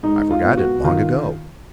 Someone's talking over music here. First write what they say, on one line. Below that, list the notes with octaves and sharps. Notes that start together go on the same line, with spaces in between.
"I forgot it long ago."
G#2 D#4
F4
B3
F#4
D#3 F4